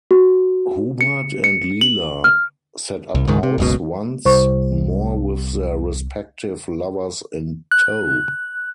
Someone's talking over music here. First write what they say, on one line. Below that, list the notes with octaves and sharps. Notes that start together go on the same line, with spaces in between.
Hubert and Leila set up house once more with their respective lovers in tow.
F#4
C#7
C#7
F#7
F6
C2
C#2 G#2 D#3
C3
F#1 C#2 B2
C2 C5 C#6
F#6